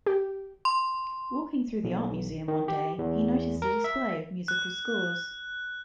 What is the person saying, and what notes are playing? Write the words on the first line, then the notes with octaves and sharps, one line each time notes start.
Walking through the art museum one day, he noticed a display of musical scores.
G4
C6
B1
D#3
G4
E2
A#4
E5
F#6